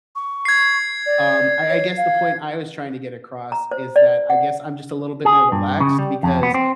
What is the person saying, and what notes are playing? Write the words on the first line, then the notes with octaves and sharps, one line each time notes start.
Um, I I guess the point I was trying to get across is that I guess I'm just a little bit more relaxed, because
C#6
G#6 C7
D5
C#5
F5
A#5
C5
D5
F#5
G#4
G2
C#3
G3
F2
B3
C4